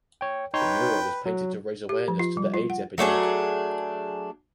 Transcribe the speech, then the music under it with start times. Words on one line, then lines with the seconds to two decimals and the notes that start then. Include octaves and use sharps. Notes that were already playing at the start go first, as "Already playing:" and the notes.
The mural was painted to raise awareness to the Aids epidemic.
0.21 C#5 G5
0.54 D#4 B4 C#5 G5 C6
1.26 F#3
1.89 G4
2.08 F3
2.20 F4
2.37 G3
2.54 F4
2.70 F#5
2.98 F#3 A3 D4 G#4